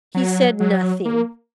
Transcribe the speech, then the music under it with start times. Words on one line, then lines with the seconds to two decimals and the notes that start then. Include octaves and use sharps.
He said nothing.
0.15 F#3
0.60 F#3
1.05 A#3